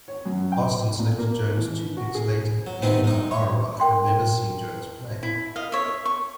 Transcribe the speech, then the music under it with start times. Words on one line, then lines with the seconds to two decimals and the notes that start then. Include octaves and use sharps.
Boston selected Jones two picks later, even though Auerbach had never seen Jones play.
0.08 C#5
0.25 F#2
0.52 G5
0.99 A#2
1.18 A#3
1.57 E3
1.97 F#4
2.15 G#4
2.67 F#3
2.82 C3 D#3 B3 C4 D#4 G#4
3.04 G#3 D#4
3.31 C#5
3.80 A#4 G5 C6
5.23 E4
5.56 D#5 F5
5.72 C#5 E5
6.05 C#6